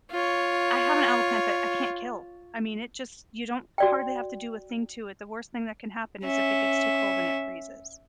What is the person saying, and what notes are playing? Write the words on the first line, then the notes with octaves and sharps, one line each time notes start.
I have an aloe plant that I can't kill, I mean, it just you don't hardly have to do a thing to it, the worst thing that can happen is if it gets too cold and it freezes,
F4 C#5
F#4 D5 G5
C#4 E5